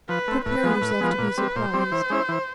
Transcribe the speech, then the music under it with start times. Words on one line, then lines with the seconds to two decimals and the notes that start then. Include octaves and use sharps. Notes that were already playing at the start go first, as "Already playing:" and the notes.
Prepare yourself to be surprised.
0.09 F3 B4
0.28 A3 C4
0.45 A2 B4
0.63 F3 G#3 B3
0.82 A2
1.01 F3 G#3 B3
1.18 A#2
1.38 G3 C4
1.56 A#2 C5
1.74 G3 C4
1.92 E3
2.10 G#3 C#4 E4
2.29 E3